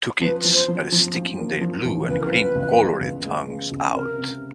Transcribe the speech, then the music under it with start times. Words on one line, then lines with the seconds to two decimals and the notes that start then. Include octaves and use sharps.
Two kids are sticking their blue and green colored tongues out.
0.21 F3 B4
0.44 F3
0.53 C5
0.68 F3
0.92 F3
1.14 F3
1.38 A#3
1.61 F3
1.85 A1
2.08 C#2 B4
2.19 A#4
2.30 F3 B4 C5
2.55 C#2
2.78 G#3
3.01 C#2
3.25 G#3
3.47 G#3
3.71 C#2
3.94 C3 A#4
4.18 C3